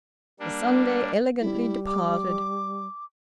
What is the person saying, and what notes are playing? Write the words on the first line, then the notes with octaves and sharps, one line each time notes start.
The Sunday elegantly departed.
G3 A#3 D4
G3 E4
D6